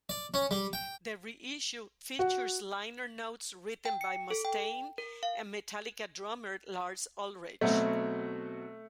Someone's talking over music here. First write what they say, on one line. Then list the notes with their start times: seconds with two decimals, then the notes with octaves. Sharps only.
The reissue features liner notes written by Mustaine and Metallica drummer Lars Ulrich.
0.09 D5
0.34 C#4
0.51 G3
0.73 G5
2.19 F#4
3.85 G5
4.01 C#7
4.30 A4
4.45 G5
4.98 A#4
5.23 F5
7.61 B2 F#3 A3 C4